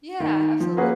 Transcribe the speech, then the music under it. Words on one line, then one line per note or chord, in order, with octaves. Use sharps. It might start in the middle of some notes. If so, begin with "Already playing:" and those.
Yeah, absolutely.
D#3
F3
A#3 C#4 F#4 G#4 B4